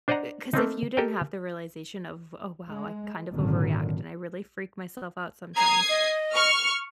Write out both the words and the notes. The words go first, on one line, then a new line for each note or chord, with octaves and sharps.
uh, 'cause if you didn't have the realization of, "Oh, wow. I kind of overreact and I really freak myself out sometimes,"
D4 C5 D5 D#5 F#5 A#5
A3 A#3 C4 D#4
G4 A4 A#4 D#5 G5
G#3
G#1 F#2 A#2 D3 D#3
A#5 D#6 G#6 C7
D#5
C#6 F6